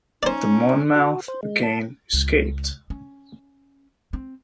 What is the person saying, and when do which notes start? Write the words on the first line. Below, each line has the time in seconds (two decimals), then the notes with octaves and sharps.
The "Monmouth" again escaped.
0.23 C#4 D#4 C5 D5
0.95 F#4
1.28 C5
1.43 G#3
1.63 A5
2.13 C#2
2.90 C#4
4.13 C4